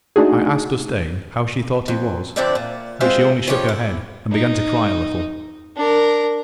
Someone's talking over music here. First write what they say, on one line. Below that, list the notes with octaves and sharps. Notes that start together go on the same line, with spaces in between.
I asked Ustane how she thought he was; but she only shook her head and began to cry a little.
A3 D4 D#4 F#4 G#4
F2
F2 D3 C4 D4 D5 E5
A#2
G#3 C4 F4 G#4 C5 E5
D#3 F3 G3 G4 G#4 C#5
E4
D#4
D4 A#4